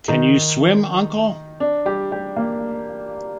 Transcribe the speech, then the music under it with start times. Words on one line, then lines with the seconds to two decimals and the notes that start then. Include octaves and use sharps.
Can you swim, uncle?
0.08 D#3 D#4
1.60 D4
1.85 G3 G4
2.12 G3 G4
2.36 A#3 A#4